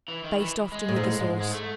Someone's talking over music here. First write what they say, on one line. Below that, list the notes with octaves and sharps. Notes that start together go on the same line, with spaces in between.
Baste often with the sauce.
E3
D#3
E3
G#3
A2
G#2
A2
G#2
G#3
A3